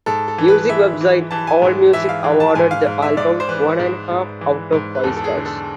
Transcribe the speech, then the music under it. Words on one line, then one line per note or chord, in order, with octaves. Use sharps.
Music website AllMusic awarded the album one and a half out of five stars.
G#2 A4
A4
E3
B4
E3 E5
E3
E3 A5
G#5
G#2
E3 E5
F5
E3 F5
A5
G#2 G#5
F5
G#2
E5
G#2 D5
C5
E3 B4
G#2
G#2
E3
G#2
B4
E2 A4
A4
G#4
D3
A4